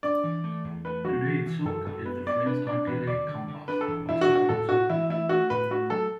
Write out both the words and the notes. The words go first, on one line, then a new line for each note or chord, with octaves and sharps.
Today, zouk is the French Antilles compas, also called zouk-love.
D4 D5
E3
A3
E2
A3 B4
F#3 F#4
E3
E3
F#2 A4
F#2 A4
B3 B4
B3 D5
D4 B4
D4 D5
E2 B4
D3 D5
D3
D3
D4 B4
A4
E2
E2 E4
F#4
D4
F#4
A2 A4
A2 F#4
E3 E4
A3 E4
A3 F#4
A2 B4
A3 F#4
F#3 A4